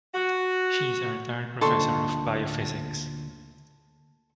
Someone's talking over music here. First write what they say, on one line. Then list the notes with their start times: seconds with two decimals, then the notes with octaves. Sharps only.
She is a retired professor of biophysics.
0.14 F#4
1.61 D2 A#2 D#4 A4 C6 C#6